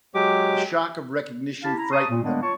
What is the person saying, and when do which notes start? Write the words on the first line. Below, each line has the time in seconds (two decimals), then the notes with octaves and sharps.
The shock of recognition frightened them.
0.15 F#3 G#3 G4 D6
1.63 E4 G4 F5 A5
1.77 E4 A#5
1.92 A5 A#5 C6 C#6 D#6
2.10 A#2
2.23 D#3 G3 G#3 A#3 B3 D4
2.43 F4 C#5 A5 C#6